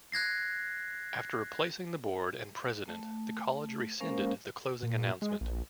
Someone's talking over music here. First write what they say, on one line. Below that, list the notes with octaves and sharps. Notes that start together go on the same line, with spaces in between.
After replacing the board and president, the college rescinded the closing announcement.
F#6 G#6 A#6 C7
A3
G#3 A#3 C#4 A#4 C5 F5
A#2
G#3
A#1